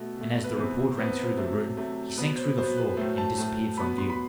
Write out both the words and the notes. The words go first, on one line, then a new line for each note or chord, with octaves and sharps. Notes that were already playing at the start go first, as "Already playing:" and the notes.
And as the report rang through the room, he sank through the floor, and disappeared from view.
Already playing: B2 A3
B2 A3
B4
C3 E3 B3 C5
C3 E3 B3 C5
C5
C3 F#3 A3
C3 F#3 A3
B2 F#3 B3 B4
C5
B2 F#3 B3 C5
B4
A2 F#3 A3 C5
A5
A2 F#3 A3 A5
B2 F#3 B3 B5
C6
B5